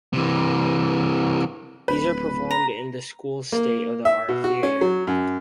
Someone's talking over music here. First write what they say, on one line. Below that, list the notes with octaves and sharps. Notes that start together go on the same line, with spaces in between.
These are performed in the school's state of the art theatre.
C3 E3
D1 B4
A#5
A#3
E5
B2
F#4
C#4
F#3
F#2